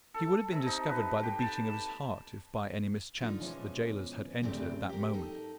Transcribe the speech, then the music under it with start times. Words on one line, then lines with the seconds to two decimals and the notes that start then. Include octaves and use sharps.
He would have been discovered by the beating of his heart, if by any mischance the jailers had entered at that moment.
0.14 A4
0.52 C3
0.66 D#4
0.87 B4
1.23 G4
1.40 A5
3.21 D3 D#4 F4
3.40 B2 E3 F3 G#3 C#4
4.42 E2 G2 C#3 A3 C4 G4
4.89 G4 A#4
5.14 D#4 A4